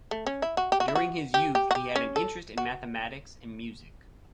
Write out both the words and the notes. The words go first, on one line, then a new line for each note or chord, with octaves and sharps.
During his youth, he had an interest in mathematics and music.
A3
C#4
E4
F#4
G4
F#4
E4
F#4
G4
G4
F#4
G4
C#4
A4
F#4